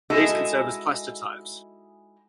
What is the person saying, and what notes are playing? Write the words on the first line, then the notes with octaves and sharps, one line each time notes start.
These can serve as plastotypes.
G#3 D#4 E4 F#4 G#4 A4